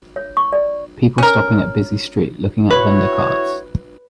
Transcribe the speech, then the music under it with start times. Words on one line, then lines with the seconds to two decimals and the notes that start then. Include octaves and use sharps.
People stopping at busy street looking at vendor carts.
0.16 C#5
0.37 C#6
0.53 D5
1.18 C#4 A#4
2.70 E4 F#4 B4 C#5